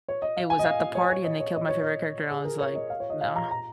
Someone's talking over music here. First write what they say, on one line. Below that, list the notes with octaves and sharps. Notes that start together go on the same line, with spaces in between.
it was at the party and they killed my favorite character, and I was like, "Nah."
C#5
D#5
F5
G#5
D#5
F5
D#5
C#5
C#5
D#5
C#5
D#5
C#5
D#5
G#4
A#4
C#5
D#5
F5
C#5
D#5
F5
A#5
A#5